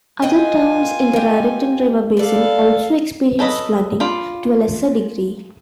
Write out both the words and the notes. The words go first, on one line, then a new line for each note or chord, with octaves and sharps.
Other towns in the Raritan River basin also experience flooding to a lesser degree.
F4 B4 D#5 G5 G#5
D#4 G4
A4 B4 D5 F5
F#3 A4 B4 D#5 B5
D4 F4 B5